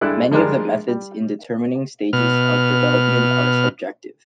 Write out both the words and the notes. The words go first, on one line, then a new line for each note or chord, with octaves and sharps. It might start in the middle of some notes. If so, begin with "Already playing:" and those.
Many of the methods in determining stages of development are subjective.
G2 G#3 D4 E4 A4 F#6
F3 G3 G#3 D4 A#4
G3
B2 F6